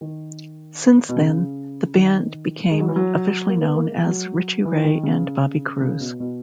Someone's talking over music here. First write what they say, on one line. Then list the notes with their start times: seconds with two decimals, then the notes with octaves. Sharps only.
Since then the band became officially known as Richie Ray and Bobby Cruz.
0.01 D#3
1.09 B2
1.16 C#3
1.95 D#3
2.71 G#3
2.79 F#3
2.88 E3
2.96 F#3
3.48 A#3
3.61 B3
3.75 A#3
3.87 G#3
4.07 F#3
4.65 E3
4.84 D#3
5.03 C#3
5.81 C#3
6.00 B2
6.20 B2